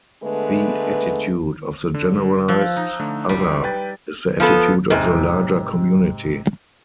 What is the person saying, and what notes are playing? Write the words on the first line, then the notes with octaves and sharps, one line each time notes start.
The attitude of the generalized other is the attitude of the larger community.
D3 G#3 A3 B3 B4
D3
F3 E6 F#6
D#4
D3 A3
C#2 G3
B4 G5 A6
F3 B3 A4
G#2 C3